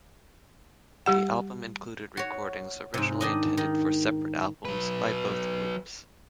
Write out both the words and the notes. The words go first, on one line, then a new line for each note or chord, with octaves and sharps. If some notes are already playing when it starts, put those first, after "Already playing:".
The album included recordings originally intended for separate albums by both groups.
G3 G4 F#5
F#4 C#5
G#2 C3
D#3 D4 D#5
D#3
F#3 B4